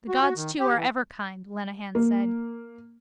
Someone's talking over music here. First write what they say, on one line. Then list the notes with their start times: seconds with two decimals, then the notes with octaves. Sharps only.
The gods too are ever kind, Lenehan said.
0.09 F#4
0.22 F#4
0.36 D#3
0.59 G4
0.75 E3
1.95 A#3